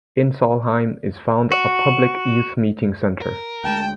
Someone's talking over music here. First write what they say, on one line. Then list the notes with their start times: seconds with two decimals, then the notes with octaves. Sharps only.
In Saulheim is found a public youth meeting centre.
1.52 F#4
3.22 A#4
3.64 D2 G#3 G5 A5